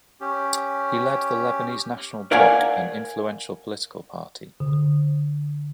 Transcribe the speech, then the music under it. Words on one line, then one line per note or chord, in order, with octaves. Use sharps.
He led the Lebanese National Bloc, an influential political party.
C#4 G4
A#4 D5 F5 F#5 G#5
D3